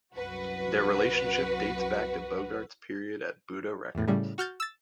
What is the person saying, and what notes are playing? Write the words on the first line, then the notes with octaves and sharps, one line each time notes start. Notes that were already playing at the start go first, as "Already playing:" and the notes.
Their relationship dates back to Bogart's period at Buddah Records.
C2 F#2 F#4 B4
E2 A2
A2 C#3 G3
F#4 F6 G6 A6
E6 A6